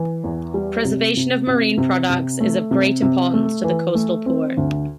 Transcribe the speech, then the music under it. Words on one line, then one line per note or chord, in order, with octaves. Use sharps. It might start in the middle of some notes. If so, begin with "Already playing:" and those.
Preservation of marine products is of great importance to the coastal poor.
Already playing: E3
E2
G3
C3
C3
C3
C3
C3
A3
C3
C3
A3
E3
A3
C4
D2